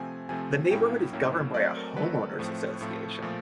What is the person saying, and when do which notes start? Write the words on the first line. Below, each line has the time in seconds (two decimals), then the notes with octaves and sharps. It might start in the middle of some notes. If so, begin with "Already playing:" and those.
The neighborhood is governed by a homeowners association.
Already playing: C3 F3 A3 C4 G#5
0.29 C3 F3 A3 C4 G#5
0.71 A2 F#3 A#3 C#4 E4 G5
1.13 A2 F#3 A#3 C#4 E4
1.54 F#3 A3 C4 D5
1.76 A#4
1.96 F#3 A3 C4 B4
2.39 A2 F3 A3 C4
2.81 A2 F3 A3 C4
3.22 A#2 F3 A3